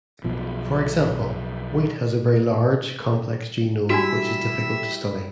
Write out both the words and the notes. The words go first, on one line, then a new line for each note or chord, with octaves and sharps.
For example, wheat has a very large, complex genome which is difficult to study.
B1 B2 F3
G3 D4 E4 F#4 E5